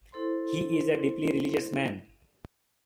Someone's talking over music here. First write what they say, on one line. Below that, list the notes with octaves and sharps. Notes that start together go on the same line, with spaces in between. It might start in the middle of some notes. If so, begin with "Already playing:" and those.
He is a deeply religious man.
E4 A4 C5 C6